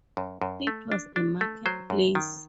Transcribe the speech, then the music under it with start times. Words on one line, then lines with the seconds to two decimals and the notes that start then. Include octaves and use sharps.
It was a market place.
0.17 F#2
0.42 F#2
0.67 A3
0.92 D4
1.16 D4
1.41 A3
1.66 F#3 C5
1.90 F#2
2.15 D#3